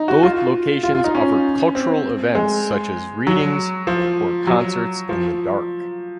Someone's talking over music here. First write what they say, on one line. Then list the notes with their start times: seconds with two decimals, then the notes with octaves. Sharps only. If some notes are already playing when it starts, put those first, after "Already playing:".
Both locations offer cultural events such as readings or concerts in the dark.
Already playing: D#4
0.08 F#4
0.23 F4
0.83 F4
0.95 F4
1.04 D#4
1.15 C#4
1.75 C4
2.35 G#3
3.27 F#3
3.87 F3
4.47 F#3
5.09 F3